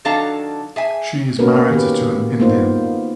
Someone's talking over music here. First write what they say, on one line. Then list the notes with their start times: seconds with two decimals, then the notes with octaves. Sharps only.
She is married to an Indian.
0.05 D#3 F#3 D4 A4 F5 A#5
0.76 G#4 E5 G#5
1.39 A#3 B3 C#4 F#4 A#4 B4
1.70 D#3 G4 B4
2.40 A#3 B3 D#4 F4 C5